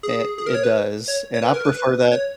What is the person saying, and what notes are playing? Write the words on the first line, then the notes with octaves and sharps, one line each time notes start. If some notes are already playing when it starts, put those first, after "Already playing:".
It it does, and I prefer that.
G#4
G#4
A#4
C#5
B4
C#5
C#5
B4
A#4
B4
B4
C#5